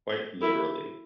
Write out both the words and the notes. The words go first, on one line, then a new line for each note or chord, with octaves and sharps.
Quite literally.
E4